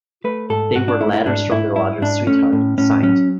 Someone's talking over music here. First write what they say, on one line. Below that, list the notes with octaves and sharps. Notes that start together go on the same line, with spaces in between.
They were letters from the lodger's sweetheart, signed.
A3 B4
G#2 A4
G#2 F#4
D4
A3 E4
E4
G#2 D4
G#2 E4
G#2 E4
G#2 D4
A3 C#4
A2
A2 C#4
F#3 C#4